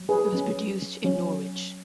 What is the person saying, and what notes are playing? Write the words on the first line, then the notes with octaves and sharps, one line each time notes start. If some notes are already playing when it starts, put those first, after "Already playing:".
It was produced in Norwich.
Already playing: F#3
G#4 B4
F#3 C#4
F#3 C#4